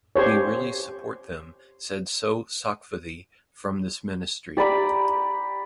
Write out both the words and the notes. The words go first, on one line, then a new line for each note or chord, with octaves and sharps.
We really support them, said So Sokvuthy from this Ministry.
G4 C5 C#5
G4 D5 A#5 B5